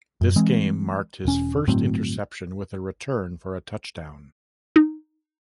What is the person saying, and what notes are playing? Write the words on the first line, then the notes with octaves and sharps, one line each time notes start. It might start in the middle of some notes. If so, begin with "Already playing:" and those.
This game marked his first interception with a return for a touchdown.
F#2
E3 G#3 C4
E1 C#4
G1 A2 F#3 C4
D#4